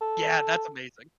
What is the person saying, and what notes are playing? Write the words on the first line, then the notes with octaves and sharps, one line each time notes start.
Yeah, that's amazing.
A4